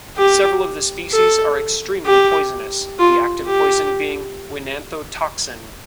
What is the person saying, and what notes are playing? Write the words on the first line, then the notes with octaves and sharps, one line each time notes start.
Several of the species are extremely poisonous, the active poison being oenanthotoxin.
G4
A4
G4
F4
G4